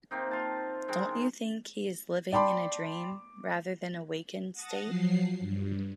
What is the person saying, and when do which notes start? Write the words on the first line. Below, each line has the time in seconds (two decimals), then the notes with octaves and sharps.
Don't you think he is living in a dream rather than a wakened state?
0.11 C3 A#3 C4 D#4
0.31 F4 A5
0.88 D#3 G#3 C4
2.32 D5 G5 A5 B5 C6 D6
4.53 F#5 A5 D#6 A6 A#6
4.85 F3 F#3 C7
5.40 G2